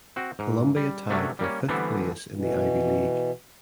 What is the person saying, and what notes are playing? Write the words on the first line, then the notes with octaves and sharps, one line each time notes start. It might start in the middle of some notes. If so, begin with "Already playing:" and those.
Columbia tied for fifth place in the Ivy League.
C4 F#4
G#2
G3
C3 F#3 A3 C#4 D4
G3 A#3 C#4
D3 E3 G3 A3 B3 C4
B2 E3